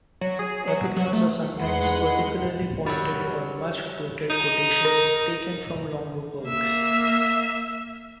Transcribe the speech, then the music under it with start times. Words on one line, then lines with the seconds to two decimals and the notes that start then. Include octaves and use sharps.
Epigrams are sometimes particularly pointed or much-quoted quotations taken from longer works.
0.21 F#3
0.39 G#4
0.68 F#3
0.96 F#3
1.13 A3
1.56 E2 G#3 D#4 B4 F#5 C6
2.86 F#3 G3
4.30 D#4
4.85 A#4
6.45 A#3 E5